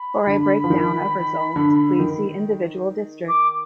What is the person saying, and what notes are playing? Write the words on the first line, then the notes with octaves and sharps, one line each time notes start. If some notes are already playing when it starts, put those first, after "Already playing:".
For a breakdown of results, please see individual districts.
Already playing: B5
D3
F3
D#3
D3
D#3
D6